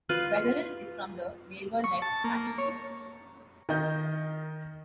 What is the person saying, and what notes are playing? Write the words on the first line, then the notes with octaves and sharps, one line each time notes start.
Weatherill is from the Labor Left faction.
F4 B4
C#6
A5
A#3
C#5
D#3 A#4 D#5 G6